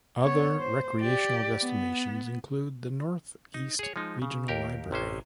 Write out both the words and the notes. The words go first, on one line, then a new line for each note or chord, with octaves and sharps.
Other recreational destinations include the Northeast Regional Library.
B3 C#5
C5
G4 D5
B3
D#4
G#4 C#5
F3 G#3 D#4
C#3
D#2 G4 A#4
A1 C3 C#4 C5